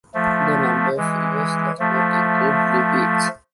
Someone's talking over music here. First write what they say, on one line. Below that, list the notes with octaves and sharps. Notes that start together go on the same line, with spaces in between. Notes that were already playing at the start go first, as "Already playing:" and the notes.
The number of viewers does not include repeats.
F3 A3
E3 G#3
F3 A3